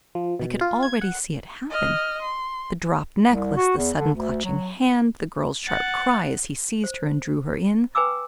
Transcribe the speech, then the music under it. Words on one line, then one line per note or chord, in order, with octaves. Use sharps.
I could already see it happen--the dropped necklace, the sudden clutching hand, the girl's sharp cry as he seized her and drew her in.
F3
B2
F4
G#6
F#5
D#5 F6
C6
C2
F#4
E2
D3
D2
F#3
F#5 A6
C5
B4 G5 G#5 A#5 D6 E6